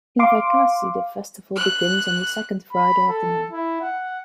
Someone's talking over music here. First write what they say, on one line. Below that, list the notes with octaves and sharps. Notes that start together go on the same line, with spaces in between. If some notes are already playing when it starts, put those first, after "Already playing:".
In Vaikasi, the festival begins on the second Friday of the month.
F5 C6 D6
F#6
B5
A4
E4
F#5